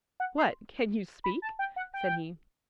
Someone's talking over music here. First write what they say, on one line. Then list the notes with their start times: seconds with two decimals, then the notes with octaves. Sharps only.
'What! can you speak?' said he.
0.20 F#5
0.38 C6
1.24 B5
1.42 A5
1.59 G5
1.76 F#5
1.94 G5